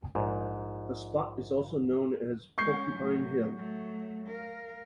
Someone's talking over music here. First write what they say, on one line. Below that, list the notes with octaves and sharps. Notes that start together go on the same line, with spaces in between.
The spot is also known as Porcupine Hill.
A#1 G#2
G#3 C#4 C#6 G6 C7
A2 F#3
F#3 A3
A#4 F5